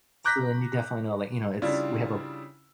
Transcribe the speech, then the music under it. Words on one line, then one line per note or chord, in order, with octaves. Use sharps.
So then you definitely know, like, you know, it's we have a
A#5 D6 F#6 G6 A#6 B6
C#3 G3 D4 E4 F4